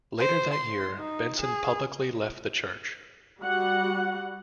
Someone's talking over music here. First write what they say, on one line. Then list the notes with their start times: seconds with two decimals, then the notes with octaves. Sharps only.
Later that year, Benson publicly left the church.
0.18 C5
0.53 C6
0.99 D#4
1.40 G#4
3.41 G3 F#4 F#5